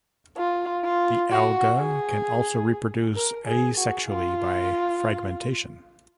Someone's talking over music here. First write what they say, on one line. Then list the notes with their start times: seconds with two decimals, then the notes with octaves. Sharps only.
The alga can also reproduce asexually by fragmentation.
0.38 F4
0.84 F4
1.31 F#4
1.77 G#4
3.16 A#4
3.47 G#4
3.77 F#4
4.09 F4